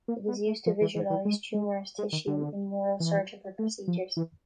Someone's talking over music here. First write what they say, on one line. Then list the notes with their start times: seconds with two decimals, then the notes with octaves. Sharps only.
It is used to visualise tumorous tissue in neurosurgical procedures.
0.08 A#3
0.28 B3
0.47 A3
0.66 F3
0.81 E3
0.95 E3
1.10 E3
1.25 G#3
1.54 G#3
1.98 G#3
2.12 D#3
2.27 D3
3.00 E3
3.59 A3
3.88 F3
4.17 E3